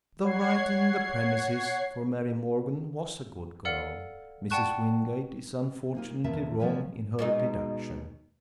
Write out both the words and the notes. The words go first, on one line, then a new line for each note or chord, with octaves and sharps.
Though right in the premises--for Mary Morgan was a good girl--Mrs Wingate is unfortunately wrong in her deductions.
C#5 F#5 G#6 C7
A4 D5 F5 F#5 F6 C#7
D5 F#5 G5 A5 C#6 F#6
A#3 D#4 F4
E2 A#2 D#3 A#4 E5 A5
E3 F3 A3 C#4 A#4 B4
B2 G#3 D#4